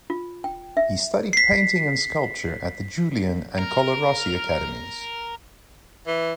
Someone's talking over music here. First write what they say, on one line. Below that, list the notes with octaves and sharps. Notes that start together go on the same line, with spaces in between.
He studied painting and sculpture at the Julian and Colarossi Academies.
F4
G5
E5
B6 C7
A#4
E3